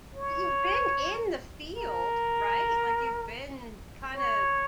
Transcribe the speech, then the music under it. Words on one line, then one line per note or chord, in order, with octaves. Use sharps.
You've been in the field, right? Like, you've been kinda
C#5
A#4
C#5